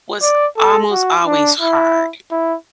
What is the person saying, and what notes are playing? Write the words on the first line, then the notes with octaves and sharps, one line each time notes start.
was almost always hard,
D5
A4
F#4
D4
E4
E4